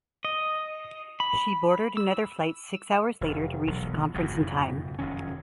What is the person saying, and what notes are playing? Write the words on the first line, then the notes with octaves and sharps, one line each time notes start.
She bordered another flight six hours later to reach the conference in time.
D#5
B5
E6
F1
E1 B1 F#3
F#1 F2 G#2 B2
F1 F#2 D#3 C#4